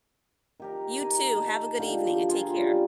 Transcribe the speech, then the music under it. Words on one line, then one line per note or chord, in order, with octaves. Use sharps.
You too. Have a good evening and take care.
D#3 G4 A#4
A#4 G#5
D#4 D#5 A5
D3 F4 G4
F4 G4 G#4 A#4
G3 C#4